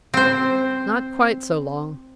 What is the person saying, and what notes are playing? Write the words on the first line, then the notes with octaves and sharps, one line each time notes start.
"Not quite so long."
C4 C5